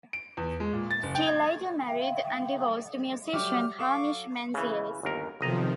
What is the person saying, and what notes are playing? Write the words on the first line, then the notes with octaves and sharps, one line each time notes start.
She later married and divorced musician Hamish Menzies.
D7
E2
G#3
A#2
A6
F#1
G5
G#6
E5 F5 G5
F#3 G3 A3 G4 D6 F6
F#3 A4 F5 C#6 D6
C#3 E3
G1 D#2 A#4
B1 C3 D#3 F3 D#5 A#5